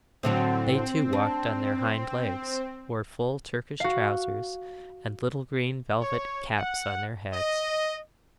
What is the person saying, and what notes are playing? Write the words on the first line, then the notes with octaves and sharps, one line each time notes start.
They too walked on their hind legs, wore full Turkish trousers, and little green velvet caps on their heads.
A2 D3 F#3 C4
D4
F#4 F5
C#5
F#5
D#5